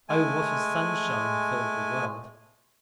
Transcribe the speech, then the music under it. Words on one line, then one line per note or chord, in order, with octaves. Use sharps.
Oh! what a sunshine filled the world!
G#3 A3 G#5